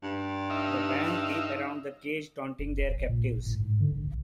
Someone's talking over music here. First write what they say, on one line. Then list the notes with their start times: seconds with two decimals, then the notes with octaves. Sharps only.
The band leap around the cage taunting their captives.
0.03 G2
0.50 D#4 E5 F5
2.59 F#1
2.79 E1
2.91 A#1
3.09 A#2
3.32 A1
3.46 A2
3.60 G#2
3.81 D3
3.92 A#1
4.07 B1